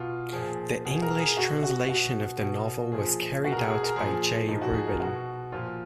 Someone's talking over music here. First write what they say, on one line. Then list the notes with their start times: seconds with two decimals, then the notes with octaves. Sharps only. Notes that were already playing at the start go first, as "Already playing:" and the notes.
The English translation of the novel was carried out by Jay Rubin.
Already playing: B2 F4
0.32 A#2 F3 G#4
0.85 B2 G#4
1.02 A#4
1.19 G#4
1.37 B2 F#4
1.63 F#4
1.88 B2 F#4
2.40 B2
2.92 A#2 F3 G#4
3.44 B2 F#4
3.52 A#4
3.57 G#4
3.70 G#4
3.83 A#4
3.96 A#2 F3 G#4
4.48 A#2 F3 D#4
4.62 F#4
4.74 G#4
4.87 A#4
5.00 B2 F#4
5.52 A#2 F3 F4